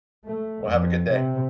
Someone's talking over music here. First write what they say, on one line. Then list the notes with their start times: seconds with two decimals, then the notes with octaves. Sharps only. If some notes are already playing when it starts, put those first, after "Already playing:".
Well, have a good day.
0.24 A3
0.66 F2
1.09 C3